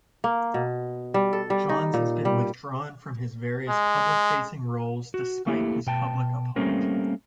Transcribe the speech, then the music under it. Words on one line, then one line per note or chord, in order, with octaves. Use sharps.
Johns has been withdrawn from his various public facing roles despite his public apology.
A#3
B2
G3
A4
G3
D#4
A#2
G3
G#3
F#4
A3 A#3 E4 G4
B2 G5 A5
G3 A3 A#3 C4 C#4 A#4